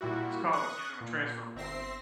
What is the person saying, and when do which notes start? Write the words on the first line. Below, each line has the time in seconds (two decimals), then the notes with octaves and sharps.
“this college; he's in the transfer portal."
0.01 A#2 G3 E4 F#4
0.53 C#6 D#6 F#6
1.01 A#2
1.56 G1 C4 E5 A#6 C7